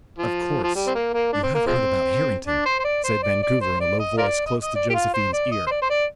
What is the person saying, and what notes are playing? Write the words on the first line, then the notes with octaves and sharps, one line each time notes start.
"Of course you have heard about Harrington?" said Vancouver in a low voice close to Josephine's ear.
F3
F3
G3
C4
A#3
A#3
D4
C4
A#3
F3 G#3 C4
D4
C5
C5
D5
C5
D5
D5
C5
D5
D#5
F4 A#4 D5
D#5
D#5
D5
G4
F4
C5
D5
D#5
C5
D5
C5
D5